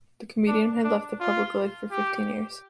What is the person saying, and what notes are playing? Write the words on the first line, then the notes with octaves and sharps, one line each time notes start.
The comedian had left the public life for fifteen years.
D4
D4
F4
G4